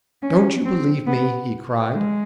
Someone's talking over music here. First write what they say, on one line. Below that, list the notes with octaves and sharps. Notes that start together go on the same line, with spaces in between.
"Don't you believe me?" he cried.
C#4
C4
B3
G#3